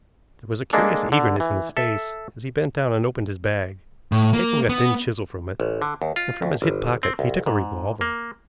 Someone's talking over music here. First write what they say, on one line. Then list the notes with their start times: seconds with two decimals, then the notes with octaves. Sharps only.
There was a curious eagerness in his face as he bent down and opened his bag, taking a thin chisel from it, and from his hip pocket he took a revolver.
0.73 G#3 A#3 D4 A4
1.12 D3
1.40 E3
1.77 A4 E5
4.12 A2
4.33 A#3
4.69 B3
5.60 A1
5.82 D3
6.02 D#2
6.16 F4
6.42 D2
6.62 G1
7.03 C4
7.19 C2
7.46 G#2
8.01 A#3